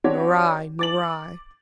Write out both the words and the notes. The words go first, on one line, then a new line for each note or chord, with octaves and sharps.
"Nor I,--nor I."
C4 D4 F#4 G4 C#5
D6 A6 F#7